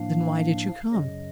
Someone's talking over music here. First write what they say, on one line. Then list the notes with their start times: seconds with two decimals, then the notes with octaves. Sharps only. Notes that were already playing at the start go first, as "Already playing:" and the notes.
"Then why did you come?"
Already playing: A2 F3 A#3 D4 F5
0.93 F#2 C#3 F#3 D#5